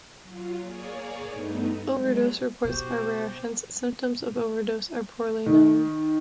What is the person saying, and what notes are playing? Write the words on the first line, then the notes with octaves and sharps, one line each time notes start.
Overdose reports are rare, hence symptoms of overdose are poorly known.
F#3 F4
A#3 G#4 C#5 D5
G2 A3 B3 D#4
F#3 G#3
B2 F#4 G4 C5
D#3